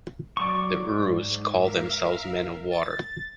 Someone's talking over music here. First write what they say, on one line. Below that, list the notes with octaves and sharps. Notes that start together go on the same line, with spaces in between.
The Urus called themselves "men of water".
F#3 D5 C#6
G#2
A#4 E5 F5
A6